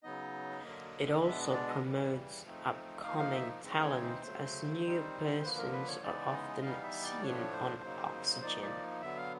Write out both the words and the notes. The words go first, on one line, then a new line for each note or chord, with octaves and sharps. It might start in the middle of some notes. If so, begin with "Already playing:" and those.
It also promotes upcoming talent as new persons are often seen on Oxygene.
C#3 F#3 B3 D#4 D#5
D3 F#3 A#3
B2 G#3 B3 D4 E5
D#5
D5
D#5
C#3 E3 G3
F3 A3 C4 D#4
F3 A#3 D#4 F5
F5
E5
C#3 E3 G#3 C4 D#4
C#5
C5
C#3 F#3 A3
D#3 G3 C4 D#4
D3 F3 A#3 B4
A#4
B4
C#5
C#3 E3 G#3 B3 D#4 D5
D#5
E3 G3 B3 D#4 F5
E5
D5
A2 F3 A3 D4 C#5
C5
C#3 F#3 A#3 D#4
F3 A#3 D#4 D5
D5
D3 F#3 B3 E5
F5